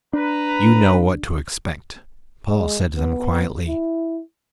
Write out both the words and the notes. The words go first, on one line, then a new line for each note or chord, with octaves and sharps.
'You know what to expect,' Paul said to them quietly.
D4 B4 A#5
G#3
B3
E4